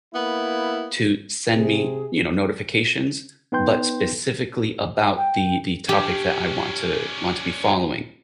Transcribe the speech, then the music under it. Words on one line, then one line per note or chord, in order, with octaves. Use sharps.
to send me, you know, notifications, but specifically about the the topic that I want to want to be following,
A#3 B3 E4
C3 G#4
B3 D#4 B4 G5 C6 G6
G5
C#4 D4 G4